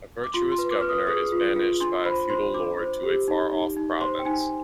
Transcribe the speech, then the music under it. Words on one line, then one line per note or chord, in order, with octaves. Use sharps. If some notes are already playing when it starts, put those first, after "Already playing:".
A virtuous governor is banished by a feudal lord to a far-off province.
D6
F4 C6
C6
B4
D6
B4 F6
D#6
G#4 D#6
F4
F4
D4 C6
C5 B5
C5 C6
D4 D6
C5
G4
D#4
D#4
D#4
C5 C6
G5
D#4 G#5